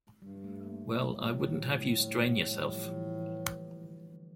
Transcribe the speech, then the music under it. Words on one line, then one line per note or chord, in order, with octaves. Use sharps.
Well, I wouldn't have you strain yourself.
G2 G3
A3
A#3
A#3
A2 G3
F3
D3
A3
A3
A3
G3
E3
F3
E3
D3